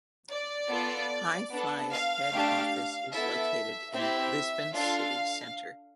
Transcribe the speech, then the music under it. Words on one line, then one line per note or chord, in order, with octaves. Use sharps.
Hi Fly's head office is located in Lisbon's city centre.
D5
B3 F4 A4
B3 D4 A4
F5
A3 D4 G4
B3 E4 A4 E5
C4 E4 G4 E5
D4 F4 A4 F5